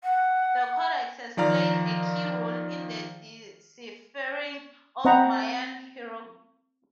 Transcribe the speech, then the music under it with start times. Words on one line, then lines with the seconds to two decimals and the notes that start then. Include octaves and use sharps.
The codex has played a key role in the deciphering of Mayan hieroglyphs.
0.03 F#5
1.37 D#3 F3 D5 F5 A#5 F6
5.05 C4 C5 D#5 F#5 A#5 B5